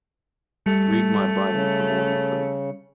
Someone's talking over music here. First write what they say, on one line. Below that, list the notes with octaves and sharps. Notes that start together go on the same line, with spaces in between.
Read my bio for more info.
G3 A3 C#7
C#3